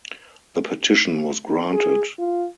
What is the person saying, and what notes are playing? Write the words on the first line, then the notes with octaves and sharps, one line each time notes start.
The petition was granted.
G#4
F4